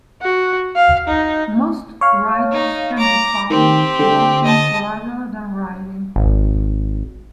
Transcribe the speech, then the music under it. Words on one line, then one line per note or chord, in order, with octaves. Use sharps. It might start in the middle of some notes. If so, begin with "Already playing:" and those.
Most riders can be found walking rather than riding.
F#4
F5
D#4
C#5 F5
D#4
A#5 D6
D#3 C4 G4
D3
D#5 A5
G#1